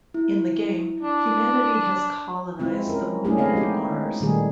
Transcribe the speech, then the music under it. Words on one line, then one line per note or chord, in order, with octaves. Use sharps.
In the game, humanity has colonized the Moon and Mars.
E4
D4
G#3 C4 E4 F4
C#4 A#4
A3 C#4 D4 E4 G4 G#4
G#3 B3 C4 D#5 F5
G#3 C4 D#4 G4
A#2 D#3 G3 A3 G#4